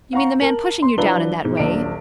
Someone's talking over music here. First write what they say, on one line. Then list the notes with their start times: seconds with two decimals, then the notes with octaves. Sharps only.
"You mean the man pushing you down in that way?"
0.13 F5 F#5 A#5 C#6
0.40 A#4 A5 F#7
0.82 C6
0.98 F3 F#3 D4 E4 B4 G7
1.44 G#2 B2
1.57 D#1 A#1 F#3 D4 D7